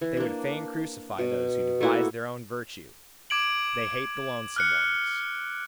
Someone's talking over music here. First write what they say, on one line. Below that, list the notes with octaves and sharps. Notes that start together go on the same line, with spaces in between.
They would fain crucify those who devise their own virtue--they hate the lonesome ones.
E3
A#3 D4
B2
A3 A#3 E4 F#4
D6 G#6 D7 F#7
F6 F#6 C#7